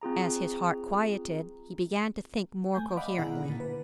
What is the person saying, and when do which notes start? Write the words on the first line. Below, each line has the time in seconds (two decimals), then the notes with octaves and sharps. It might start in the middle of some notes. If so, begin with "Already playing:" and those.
As his heart quieted he began to think more coherently.
0.02 C4 F4 G#4 A#5
2.75 A3 G#5 G6
2.97 D5 D#5 F5 F#5 B5 D6
3.18 B2 D#3 E4 G#4 F#5 A#5
3.45 A#2 D3
3.60 B4